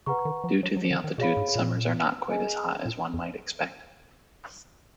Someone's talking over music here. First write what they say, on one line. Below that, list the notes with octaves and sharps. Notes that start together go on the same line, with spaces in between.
Due to the altitude, summers are not quite as hot as one might expect.
C#3 B4 F#5 A#5 C#6
D#3
F3
F#3
F#3
F3
D#3
D#3
B2 G#4 C#5 F5 B5
G#2
A#2
G#4 D#5 G#5
A#2
F2